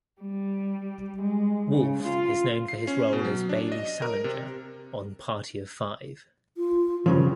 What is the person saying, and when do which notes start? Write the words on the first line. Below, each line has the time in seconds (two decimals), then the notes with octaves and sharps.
Wolf is known for his role as Bailey Salinger on "Party of Five".
0.21 G3
1.22 G#3
1.73 C#3
2.03 F4
2.68 C7
2.87 C#4
3.13 B2
3.25 F#3
3.49 D4
3.72 D#5
4.02 A#4
4.24 C3
6.57 F4
7.06 G2 C#3 E3 F3